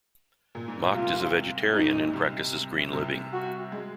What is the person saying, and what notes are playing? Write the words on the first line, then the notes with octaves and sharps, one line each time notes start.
Macht is a vegetarian and practices green living.
A#2
G#2
A#2
C2 C3 F4
G#2 D#4
A#2
C2 C3
C2 C3
F#4
G#3